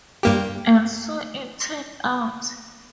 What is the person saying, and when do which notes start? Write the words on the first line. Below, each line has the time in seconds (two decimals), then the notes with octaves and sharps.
And so it turned out.
0.23 G2 A#3 G4